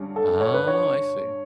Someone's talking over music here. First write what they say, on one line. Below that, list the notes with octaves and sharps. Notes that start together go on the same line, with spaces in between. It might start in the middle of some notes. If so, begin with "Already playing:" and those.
Oh, I see.
Already playing: G2 D3 G3 C#4
A4
C#5
B4
C#5